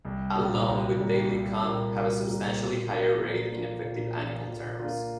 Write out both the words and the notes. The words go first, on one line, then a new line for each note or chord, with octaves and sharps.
A loan with daily comp have a substantially higher rate in effective annual terms.
C2
A#2 G3 A#3
C2
A#2 G3 A#3
C2
A#2 G3 A#3
C2
A#2 G3 A#3
A#2
A#3 D4 F4
A#2
A#3 D4 F4
A#2
A#3 D4 F4
A#2
A#3 D4 F4